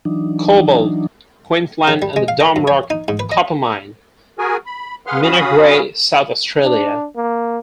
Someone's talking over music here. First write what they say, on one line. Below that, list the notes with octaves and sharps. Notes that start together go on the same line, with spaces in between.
Cobalt, Queensland and the Dome Rock copper mine, Mingary, South Australia.
E3 F#3 D4 D#4
C#3
G3
G#3
F5
A#4
F#2
C#5
D#4
G#2
B4
D#5
F#4 G#4 A#4 G#5
B5
G#4 B4 F5 F#5 C6 F6
C#4 F#4 F5 B5 D#6
D4
A#3